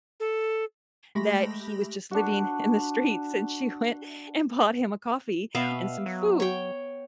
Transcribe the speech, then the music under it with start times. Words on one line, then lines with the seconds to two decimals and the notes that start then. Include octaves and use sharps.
that he was just living in the streets, and she went and bought him a coffee and some food,
0.20 A4
1.15 G#3 A3 G4 B5 A#6
2.11 D4 F#4
5.55 B2 B3 E5 F5
6.06 F#3
6.40 C#5 G5